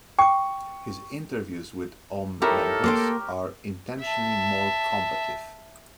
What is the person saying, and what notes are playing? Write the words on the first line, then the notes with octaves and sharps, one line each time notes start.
His interviews with Aum members are intentionally more combative.
G5 C#6 D6
D#4 E4 G4 A4 A#4 C#5
A#3 G5 C6 D6
E5 A5